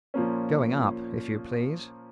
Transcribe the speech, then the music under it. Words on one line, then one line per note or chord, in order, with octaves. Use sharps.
"Going up, if you please."
A#2 F3 A#3 C#4